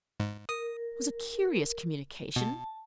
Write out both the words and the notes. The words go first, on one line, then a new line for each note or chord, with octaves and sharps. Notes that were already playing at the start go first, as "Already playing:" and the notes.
It was a curious communication.
G#2
A#4 D#6
B2 A5